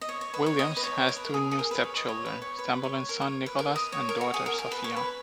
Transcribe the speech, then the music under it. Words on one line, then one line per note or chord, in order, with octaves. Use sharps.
Williams has two new step children, Sambolin's son Nicolas and daughter Sofia.
D#5
C#5
C#5
B4
C#5
D#5
B4
C#5
A#4
B4
A#4
G#4
G#4
A#4
B4
C#5
D#5
C#5
B4
C#5
B4
C#5
A#4
C#5
B4
A#4
D#5
C#5
A#4
F#4
G#4
A#4
A#4
B4
C#5
B4